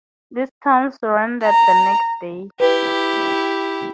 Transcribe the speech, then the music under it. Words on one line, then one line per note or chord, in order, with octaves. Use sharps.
This town surrendered the next day.
A#5
E4 G4 B4